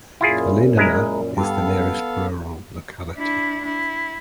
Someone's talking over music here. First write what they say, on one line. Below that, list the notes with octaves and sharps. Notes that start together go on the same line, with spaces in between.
Kalinina is the nearest rural locality.
F#2 A#2 E4 F4 G#4
G#3 E4 A#4
G2 B3 A4 F5
D4 E4
E4